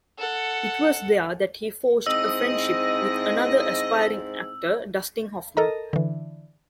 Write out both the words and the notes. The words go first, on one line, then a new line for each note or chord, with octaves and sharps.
It was there that he forged a friendship with another aspiring actor, Dustin Hoffman.
A4 F#5
G#2 C4 E4 D#5 E6
A4 A#4 D#5 A#5
D3 E3